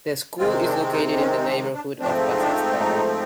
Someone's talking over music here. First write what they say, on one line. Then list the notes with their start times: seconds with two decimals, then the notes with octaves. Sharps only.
The school is located in the neighbourhood of Vasastaden.
0.38 C3 D#3 G#3 C4 F4
0.66 D4
0.93 D#4
1.20 C#4
1.37 D#4
1.46 D4
1.73 D4
2.00 G#2 F3 A3 C4 D4
2.40 D4
2.80 D#4